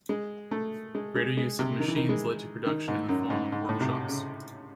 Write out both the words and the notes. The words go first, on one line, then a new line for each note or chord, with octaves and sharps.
Greater use of machines led to production in the form of workshops.
G#3
A3
G#3
G#3
G#3
C3
D#3
E3
D#3
G#3
D#3
G#2
F#2
G#2
G#2
A2
C3
C#3